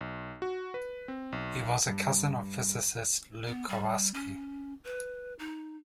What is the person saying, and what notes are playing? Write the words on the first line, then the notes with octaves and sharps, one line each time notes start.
He was a cousin of physicist Lew Kowarski.
B1
F#4
B4
C4
B1
G2
B3
G3
C#4
B4
D#4